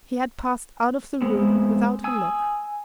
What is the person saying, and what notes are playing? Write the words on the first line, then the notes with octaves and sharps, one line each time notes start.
He had passed out of the room without a look!
G#3 B3 C4
G#5 D#6 E6